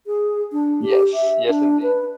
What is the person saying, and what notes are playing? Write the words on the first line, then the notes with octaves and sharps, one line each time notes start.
Yes, yes, indeed.
G#4
D4
G4
E5
D4
B4